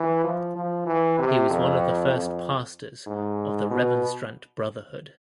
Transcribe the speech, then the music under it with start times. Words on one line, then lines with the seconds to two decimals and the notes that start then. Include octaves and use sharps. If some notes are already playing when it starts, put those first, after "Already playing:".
He was one of the first pastors of the Remonstrant Brotherhood.
Already playing: E3
0.24 F3
0.56 F3
0.86 E3
1.19 C3
1.50 F2
2.13 F2
3.07 G#2
3.70 B2